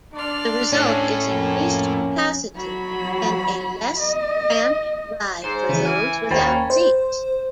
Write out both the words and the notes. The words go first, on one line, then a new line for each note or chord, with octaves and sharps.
The result is increased capacity and a less cramped ride for those without seats.
D4 D5 C6 F6
A2 C#4 D4 A4
F2 A#3
F#3 B5
D#5
G#2 C5
C#3 E3 B3
E3 G#5 F6
D#2 A#3 C#4 C5 G5 B5 A6
C5